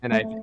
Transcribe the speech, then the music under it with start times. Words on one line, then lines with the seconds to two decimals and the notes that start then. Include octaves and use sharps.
And I th
0.12 A3